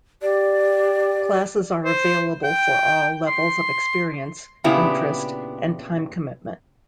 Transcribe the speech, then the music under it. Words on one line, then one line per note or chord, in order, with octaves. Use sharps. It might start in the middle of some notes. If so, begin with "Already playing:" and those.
Classes are available for all levels ofexperience, interest, and time commitment.
G4 D5
C5
G5
C6
A#2 C#3 B3 D4 E4 G4